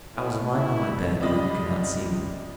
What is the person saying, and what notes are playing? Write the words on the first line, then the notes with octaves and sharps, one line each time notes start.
I was lying on my bed, and he could not see me.
A2
E4
C#2 C3 F4 D5 D#5 B5